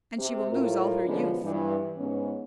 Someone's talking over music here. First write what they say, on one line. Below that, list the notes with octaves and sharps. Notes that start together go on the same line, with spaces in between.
"And she will lose all her youth."
C3
A2 F4 A#4
B2 D3 F3 G#3 B3 C#4
G2 E3
G#2 B3 C#4